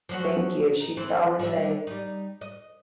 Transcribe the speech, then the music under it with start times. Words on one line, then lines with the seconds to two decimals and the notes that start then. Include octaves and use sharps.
Thank you. She used to always say,
0.09 F3 F#3 F#4
0.80 D#4
0.97 E3 C4
1.39 D3 G3 E5
1.87 G3 D#4
2.41 D#5